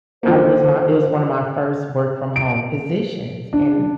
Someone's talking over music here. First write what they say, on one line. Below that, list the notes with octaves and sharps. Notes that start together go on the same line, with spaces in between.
I was my it was one of my first work-from-home positions, and
D3 F3 A#3 C5
D7
D4